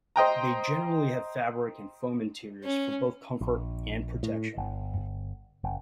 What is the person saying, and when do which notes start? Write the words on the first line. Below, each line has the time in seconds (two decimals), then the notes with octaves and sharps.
They generally have fabric and foam interiors for both comfort and protection.
0.16 C5 D#5 G5 A#5
2.64 C#4
3.41 A#1
4.23 A2
4.58 G1
5.64 F#1